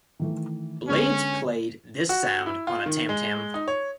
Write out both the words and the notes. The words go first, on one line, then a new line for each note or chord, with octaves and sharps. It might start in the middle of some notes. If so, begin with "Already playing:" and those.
Blades played this sound on a tam-tam.
D#3 E3 A3
D3 G#3 B3 C#4
F#4
E4
F4
D#3
G#3
D#4
C#5